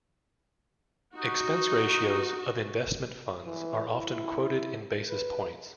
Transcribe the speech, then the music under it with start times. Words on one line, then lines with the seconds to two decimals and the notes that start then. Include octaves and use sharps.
Expense ratios of investment funds are often quoted in basis points.
1.15 D#4 F#4
3.46 E3
3.93 E4
5.09 B4